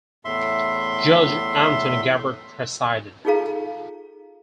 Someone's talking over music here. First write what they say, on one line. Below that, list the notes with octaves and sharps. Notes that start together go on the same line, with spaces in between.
Judge Anthony Gabbert presided.
E2 A2 E5 C6
D#4 F4 G#4 A4 F5 A#5